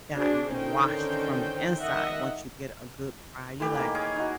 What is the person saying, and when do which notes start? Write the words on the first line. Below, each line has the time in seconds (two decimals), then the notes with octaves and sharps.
gotten washed from the inside once you get a good cry, you're like,
0.15 D4 F#4 G#4 C5
0.55 D3 D#3 C#4 D#4 C5 G5
1.81 D#3 D#5 E5 F#5
3.60 A2 E3 G4
3.75 D#3 E3 A#3
3.95 G#4 A#4 C#5 D6
4.16 D#4 F#4